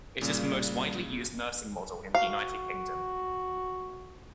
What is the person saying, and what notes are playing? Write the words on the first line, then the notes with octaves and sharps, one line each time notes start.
It is the most widely used nursing model in the United Kingdom.
A#2 C#3 G3
F#4 F5